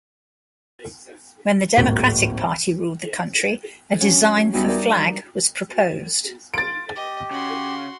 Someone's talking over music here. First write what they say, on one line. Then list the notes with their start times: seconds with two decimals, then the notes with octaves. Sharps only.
When the Democratic Party ruled the country, a design for flag was proposed.
1.77 D1 G#1 A#3 C5
4.01 F#3 C#4 D4
4.53 E2 E3 G3 D4 D#4 F#4
4.66 D#4 A#4 D5 G6
6.54 F4 A6 D7
6.96 G4 D#5
7.31 C#3 F#4 C6